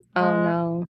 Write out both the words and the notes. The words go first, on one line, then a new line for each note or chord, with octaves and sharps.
Oh no.
G#3